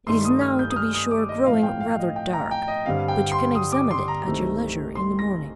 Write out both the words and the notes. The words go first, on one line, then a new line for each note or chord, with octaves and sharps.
It is now, to be sure, growing rather dark--but you can examine it at your leisure in the morning.
G2 D#3 A3 C6
D#6
F6
G6
D#6
F6
D#6
D6
D#5
A2 F3 A3 C4 F5
G5
F5
D#5
G5
A#5
G5
D#5
G2 D3 G3 C4 F5
G5
C6
D#6
D6
C6
A#5
C2 C3 D#3 A3 C4
C6
A#6